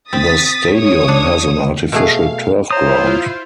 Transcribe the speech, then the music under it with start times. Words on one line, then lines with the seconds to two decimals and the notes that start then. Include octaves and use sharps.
The stadium has an artificial turf ground.
0.13 C4 D#6 A6 B6
0.74 C#5 D#6
1.08 D4
1.92 B2 A3 G#4 F5
2.71 E4 F4 C5 C#5 A#5 D#6